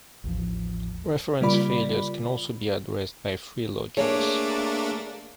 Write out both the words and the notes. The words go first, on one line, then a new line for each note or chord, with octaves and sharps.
Reference failures can also be addressed by free logics.
A1 D#2 F3
C#3 G3 A#3 F4 D5 B5
A3 A#3 D4 G#4 C#5